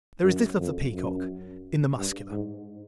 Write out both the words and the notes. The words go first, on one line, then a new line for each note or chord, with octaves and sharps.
There is little of the peacock in the Muscular.
F#2
F2
F#2
G2
G#2